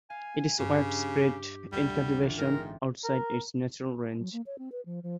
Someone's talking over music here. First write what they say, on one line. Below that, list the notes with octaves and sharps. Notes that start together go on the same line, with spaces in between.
It is widespread in cultivation outside its natural range.
F5 G#5
G2 C#3 G4
D2 G3
A1 C#4 F4
G#2 C4 A#4
A#4
F#3
A#3
C#5
C4
B4
F3
F3